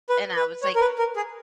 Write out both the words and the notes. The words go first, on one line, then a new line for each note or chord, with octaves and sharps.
And I was like,
B4
B4
C#5
A#4
B4
A#4
G#4